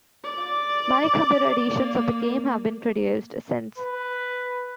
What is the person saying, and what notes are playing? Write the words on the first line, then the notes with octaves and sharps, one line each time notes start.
Many computer editions of the game have been produced since.
D5
A#3
B4